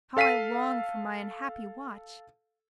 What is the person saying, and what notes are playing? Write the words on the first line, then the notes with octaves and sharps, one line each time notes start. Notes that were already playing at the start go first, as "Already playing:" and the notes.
How I longed for my unhappy watch!
A4 F5 B6 C7 D#7